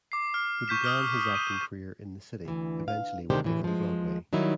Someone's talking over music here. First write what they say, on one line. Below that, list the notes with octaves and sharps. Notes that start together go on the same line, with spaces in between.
He began his acting career in the city, eventually working on Broadway.
D6 C7
F6
C#6 G6 B6 E7
D#6 F6 G7
D#7
D2 E3
F5
D2 C3 D#3 D4 G4 C5
A2 E3
F3 G#3
D#3 F#3 G3 D#4 E4